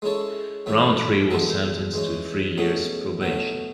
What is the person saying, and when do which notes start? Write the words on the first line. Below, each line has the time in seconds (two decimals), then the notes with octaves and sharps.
Rountree was sentenced to three years probation.
0.02 G#3 C#4 E4 A4 C#5
0.66 F#2 E3 A3 C#4 E4
1.30 E3 G#3 B3 E4 A4
1.94 E3 G#3 C#4
2.58 B2 A3 C#4 G#4
3.21 B2 F#3 A3